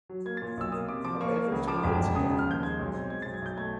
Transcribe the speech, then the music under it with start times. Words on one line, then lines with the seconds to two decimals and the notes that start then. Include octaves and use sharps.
Have I ever told it you?
0.09 F#3
0.25 A#3 G#6
0.37 A6
0.42 A#2
0.57 B1 E6
0.72 A#3 D#6
0.88 C3 D6
1.05 F3 D6
1.21 A#3 C#6
1.36 A#3
1.52 C#2
1.67 F3 D6
1.84 E1
2.00 E1
2.15 C#3 D#6
2.31 F3
2.39 F6
2.47 D#2 G6
2.62 G#3 G#6
2.79 B1
2.94 C4
3.10 G#3 G#6
3.22 A6
3.26 B1
3.34 G#6
3.42 B1 G6
3.57 A3 G#6